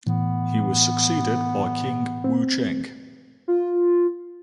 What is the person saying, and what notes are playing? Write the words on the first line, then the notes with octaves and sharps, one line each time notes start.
He was succeeded by King Wucheng.
A2 E3 B3
C4
F4